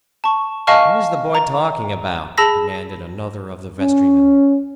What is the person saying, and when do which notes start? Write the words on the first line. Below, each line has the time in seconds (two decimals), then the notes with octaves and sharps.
"What is the boy talking about?" demanded another of the vestrymen.
0.24 A5 C#6
0.67 D#5 F5 G#5 A5 C#6 F6
1.35 A#5
2.37 G#4 A5 B5 E6 A#6 B6
3.79 C#4